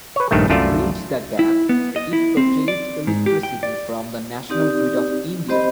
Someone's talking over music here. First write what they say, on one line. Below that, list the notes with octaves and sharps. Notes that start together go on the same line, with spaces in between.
To bridge the gap, it purchased electricity from the national grid of India.
B4 C#5
A#1 G2 D#3 A3
C2 F#2 A3 F4 D5
E4
B3
D#5
E4
C4
D5
G#2
G4
G5
D5
C4 D#4 G4 D5
C4 G4 C5 D#5 B5